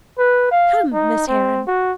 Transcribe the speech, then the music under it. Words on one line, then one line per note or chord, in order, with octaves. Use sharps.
Come, Miss Heron!
B4
F5
D#4
C4
F#4